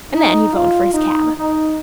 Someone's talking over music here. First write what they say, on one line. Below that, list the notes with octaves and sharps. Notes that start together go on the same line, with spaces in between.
And then he 'phoned for his cab.
D#4
F4
D#4
D#4